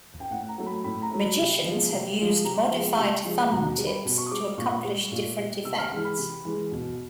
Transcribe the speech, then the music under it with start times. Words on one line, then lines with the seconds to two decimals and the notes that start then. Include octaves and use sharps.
Magicians have used modified thumb tips to accomplish different effects.
0.20 G5
0.31 A2 F#5
0.48 A#5
0.58 F#3 A3
0.67 B5
0.84 A2 B5
1.02 A#5
1.11 F#3 A3
1.20 B5
1.38 C3
1.64 F3 G#3
1.91 C3
2.18 F3 G#3
2.45 C3 A#5
2.71 F3 G#3
2.98 C3
3.25 F3 G#3
3.51 B2 A#5
3.78 G3
3.87 B5
4.05 B2
4.18 C#6
4.26 D#6
4.31 G3 D6
4.58 A#2 C#6
4.84 G3
5.12 A#2
5.38 G3
5.65 C3 E6
5.78 F6
5.92 E3 G#3 F6
6.05 B5
6.18 C3 B5
6.45 E3 G#3
6.71 B2